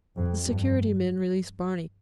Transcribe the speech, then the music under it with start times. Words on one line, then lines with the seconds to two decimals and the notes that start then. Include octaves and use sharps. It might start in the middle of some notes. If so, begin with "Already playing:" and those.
The security men released Barney.
0.16 F2
0.46 G2